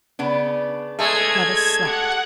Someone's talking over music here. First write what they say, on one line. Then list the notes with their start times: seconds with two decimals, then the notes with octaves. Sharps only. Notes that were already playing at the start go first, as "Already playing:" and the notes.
Levice slept.
0.19 C#3 B3 D4
0.99 G#3 A3 G#6
1.85 G4 F#5